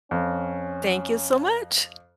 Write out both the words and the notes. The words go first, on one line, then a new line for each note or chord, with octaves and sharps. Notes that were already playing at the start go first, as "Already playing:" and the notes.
Thank you so much.
F2 C#4